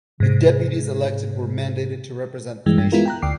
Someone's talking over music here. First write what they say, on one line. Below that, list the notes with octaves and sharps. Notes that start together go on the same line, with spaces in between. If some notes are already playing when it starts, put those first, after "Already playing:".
The deputies elected were mandated to represent the nation.
G#2 C3
G2 E3 G#3
G2
G#3 B3 E4 F4 A#4
G5 A#5 F#6
D2 G5 D6 C7